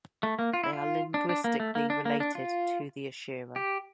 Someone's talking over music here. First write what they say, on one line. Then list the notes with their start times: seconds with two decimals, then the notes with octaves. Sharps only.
They are linguistically related to the Eshira.
0.23 A3
0.39 A#3
0.53 F4
0.64 E4
0.73 F4
1.14 D4
1.29 D4
1.44 A#3
1.60 A3
1.75 A#3
1.90 D4
2.05 A#3
2.20 D4
2.35 F4
3.56 G4